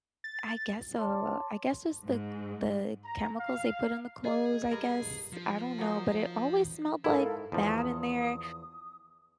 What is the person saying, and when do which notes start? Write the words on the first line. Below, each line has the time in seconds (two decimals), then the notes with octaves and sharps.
I guess so. I guess it's the c the chemicals they put in the clothes, I guess. I don't know, but it always smelled, like, bad in there.
0.24 A6
0.98 C#5 A5 C6 D6
2.04 G#2
3.05 A#5
3.39 F5
4.25 G#4 D#5
4.71 G2 A#4
5.33 F3
5.78 F#3 A#3 D#4
7.04 G#2 E4 A4 A#4 F5
7.52 E2 F3 D#6